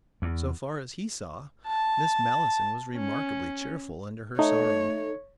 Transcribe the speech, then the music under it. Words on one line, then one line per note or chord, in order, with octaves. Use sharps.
So far as he saw, Miss Malleson was remarkably cheerful under her sorrow.
E2
A5
C#4
A3 D#4 C#5